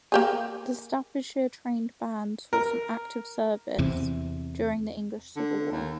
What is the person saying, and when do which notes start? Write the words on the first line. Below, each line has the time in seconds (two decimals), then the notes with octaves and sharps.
The Staffordshire Trained Bands saw some active service during the English Civil War.
0.12 A#3 G4 G#4
2.53 A#4
3.79 E2 C3
5.36 D3
5.71 D#2